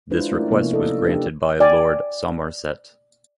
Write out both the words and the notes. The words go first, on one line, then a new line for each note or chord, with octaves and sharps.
This request was granted by Lord Somerset.
G#3 D4 E4 F4 B4 C5
A3 C#4 E4 F#4 A#4 D5
C3 F3 A#3 B3 E4
D#4 A4 D5 D#5
D4 G4 A4 B4
D5 G5 G#5